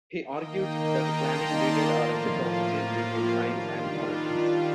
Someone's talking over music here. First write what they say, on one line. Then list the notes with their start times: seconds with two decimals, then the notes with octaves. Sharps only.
He argued that planning needed a reciprocity between science and politics.
0.24 D#3 A#3 D#4 D#5 G5
0.62 G5 A#5
1.01 A5 C6
1.40 A#4 D5
1.79 A2 F3 A#3 F4
2.95 G4
3.33 D#3 G3 D4 F4
3.72 F4
4.11 F4